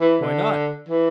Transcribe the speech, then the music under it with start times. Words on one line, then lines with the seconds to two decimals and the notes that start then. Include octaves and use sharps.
"Why not?"
0.01 E3
0.22 D3
0.89 E3